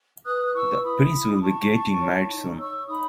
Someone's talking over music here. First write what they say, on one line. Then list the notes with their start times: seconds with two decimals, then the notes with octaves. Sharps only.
The prince will be getting married soon.
0.25 B4 D#6 F#6
0.45 F#6
0.54 E4 C#6 E6
0.83 E4 B5 D#6
1.13 E4
1.35 B5
1.42 E4 A5 C#6
1.71 E4
2.00 C#5
2.30 D#4
2.58 C#5 C#6 E6
2.87 D#4 B5 D#6